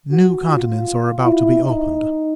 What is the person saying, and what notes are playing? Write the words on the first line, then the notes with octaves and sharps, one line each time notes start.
New continents are about to be opened.
F#4
F4
E4
D#4